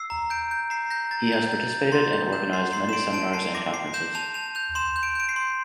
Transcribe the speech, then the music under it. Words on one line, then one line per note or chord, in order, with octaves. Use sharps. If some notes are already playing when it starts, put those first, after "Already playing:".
He has participated and organised many seminars and conferences.
Already playing: E6 C7
A#5
G6 D7
G6
A#5 C7
G6 A#6
A#5 A6
G6
G6 A6
G6
C6 A6
G6
G6 E7
C6 C7
C6 C7
E7
C6 D7
A5 D7
A5 C7
D6 A#6
D6 C7
G6 E7
A5 F7
A5 F7
G6 F7
C6 E7
G6
D7
G6 D7
C7
C6